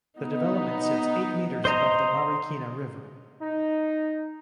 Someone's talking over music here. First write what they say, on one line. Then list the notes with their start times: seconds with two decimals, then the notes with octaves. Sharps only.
The development sits eight meters above the Marikina River.
0.17 B3 D#4
1.65 C5 D#5 A#5
3.41 D#4